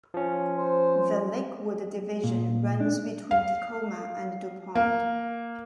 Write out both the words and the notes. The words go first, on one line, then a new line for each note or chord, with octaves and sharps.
The Lakewood division runs between Tacoma and DuPont.
F3 C#4
C5
A#2
D4
F5
A#3